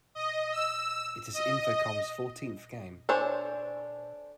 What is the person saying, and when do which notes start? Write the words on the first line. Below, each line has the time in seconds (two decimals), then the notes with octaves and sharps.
It is Infocom's fourteenth game.
0.15 D#5
0.52 E6
1.34 D#5
3.09 D4 A4 C5 C#5 G#5